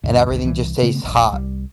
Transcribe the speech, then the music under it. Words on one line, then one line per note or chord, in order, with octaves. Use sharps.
and everything just tastes hot.
D2 G2 B2
G#1 D2
C2 E3
C#3 A3 B3 C4
E1 A#1
C2 G3